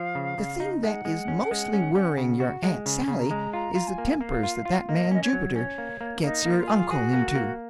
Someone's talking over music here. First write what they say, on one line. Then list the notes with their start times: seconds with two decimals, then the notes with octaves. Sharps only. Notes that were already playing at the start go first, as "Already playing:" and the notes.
"The thing that is mostly worrying your aunt Sally is the tempers that that man Jubiter gets your uncle into."
Already playing: F3 F5
0.15 C#3
0.38 C#3
0.60 D#4
0.83 G#3 F#5
1.05 G#3
1.28 C#4
1.51 G#3
1.73 C#4
1.95 C#4
2.17 C#3
2.40 F#4
2.63 G#3
2.85 C#3 G#5
3.08 C#3
3.19 A#5
3.31 G#3
3.53 F4 A#5
3.75 F4
3.87 G#5
3.98 A#3
4.20 A#3 F5
4.43 F4
4.65 F4
4.88 A#3 D#5
5.11 C#4 D#5
5.22 C#5
5.33 F#3
5.56 C#4 C#5
5.78 A#3
6.01 A#3
6.23 A#3 D#4
6.46 A#3
6.57 F4
6.68 G#4
6.90 F#4 G#4
7.13 A#3
7.35 A#3